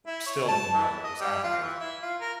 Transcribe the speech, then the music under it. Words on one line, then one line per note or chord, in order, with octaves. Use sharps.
still didn't know what was happening.
E4
C#5
A5
E3
D#5
G3
F4
E3
E4
F4
A#4